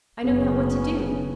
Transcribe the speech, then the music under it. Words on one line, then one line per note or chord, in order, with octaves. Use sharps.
I know not what to do.
F#1 C#3 B3 C#4